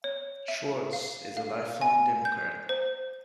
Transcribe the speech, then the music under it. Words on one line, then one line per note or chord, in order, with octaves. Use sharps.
Schwartz is a lifelong Democrat.
C#5
E5
F5
F5
G#5
G6
C5